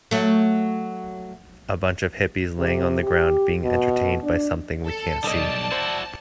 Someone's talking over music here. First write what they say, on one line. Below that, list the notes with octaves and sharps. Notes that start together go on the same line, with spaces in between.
A bunch of hippies laying on the ground being entertained by something we ca n't see.
F#3 A3
C3
G4
B2
D4
A4
B1 G3 A4 D5 D#5 A5
E4 F#4 C5